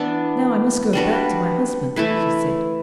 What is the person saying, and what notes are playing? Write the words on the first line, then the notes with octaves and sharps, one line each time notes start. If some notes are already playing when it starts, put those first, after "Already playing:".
"Now I must go back to my husband," she said.
Already playing: E3 B3 D4
G3 D4 F#4 B4
E3 A3 E4 B4